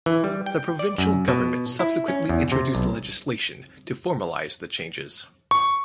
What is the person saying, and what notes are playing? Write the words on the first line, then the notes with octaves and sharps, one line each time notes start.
The provincial government subsequently introduced legislation to formalise the changes.
E3
G3
G5
D5
F#2
B2
E4
C#4
E2
C3
B1
C#6